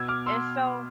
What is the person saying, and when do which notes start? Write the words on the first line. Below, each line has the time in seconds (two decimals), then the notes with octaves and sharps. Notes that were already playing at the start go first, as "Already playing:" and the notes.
And so
Already playing: B2 E6 G#6
0.08 D6 F6
0.26 C6 E6